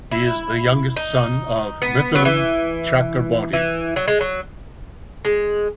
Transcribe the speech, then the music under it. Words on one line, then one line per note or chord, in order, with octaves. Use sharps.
He is the youngest son of Mithun Chakraborty.
E4
D#4
B3
F#3
E3
E3
F#3
G#3
F#3
G#3